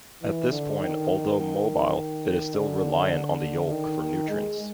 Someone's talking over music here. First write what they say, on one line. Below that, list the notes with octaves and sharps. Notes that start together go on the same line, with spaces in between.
At this point although mobile, it is still reliant on the yolk for nutrients.
E3
D3
D#3
D3
D#3
G#3